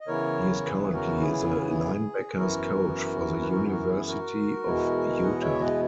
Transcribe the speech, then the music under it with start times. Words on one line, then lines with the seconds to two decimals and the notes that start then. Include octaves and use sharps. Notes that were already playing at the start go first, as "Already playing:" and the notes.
He is currently the Linebackers coach for the University of Utah.
0.01 D#5
0.08 C#3 E3 B3 E4 A#4 C#5
0.65 G#4 B4
0.93 F#4 A#4
1.22 G#4
2.36 F#2 E3 B3 E4 F#4 A#4
3.41 B4
3.51 F#4 A#4
3.69 F#4 A#4
3.89 G#4
4.08 F#4 A#4
4.66 E2 B2 G#3 B3 E4
5.23 D#5 F#5
5.41 C#5 E5
5.60 B4 D#5